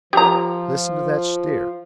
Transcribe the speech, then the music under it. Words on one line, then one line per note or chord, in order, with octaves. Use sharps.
"Listen to that steer."
F3 G4 A#5